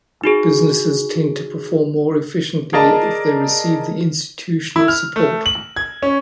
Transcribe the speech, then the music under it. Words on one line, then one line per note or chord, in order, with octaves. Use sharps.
Businesses tend to perform more efficiently if they receive the institutional support.
D#4 F#4 G#4
G#4 A#4 D5 D#5 A5 A#5
E4
F6
A3
F#7
G#6
C#4